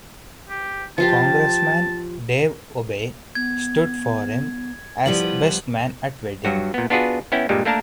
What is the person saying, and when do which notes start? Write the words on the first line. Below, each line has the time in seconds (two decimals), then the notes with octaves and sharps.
Congressman Dave Obey stood for him as best man at the wedding.
0.49 G4
0.98 F3 F4 G4 A5
3.35 B3 G#6
5.06 F3 G3 B3 E4 F#7
6.45 G2 F#3 F#4
6.74 A#2 B3
6.90 B3 D4 F4 F#4 G#4 B4
7.32 B3 C#4 E4 G5
7.49 G2 A#2 G3 G#3
7.65 A3 A#3 D4 A#4 A5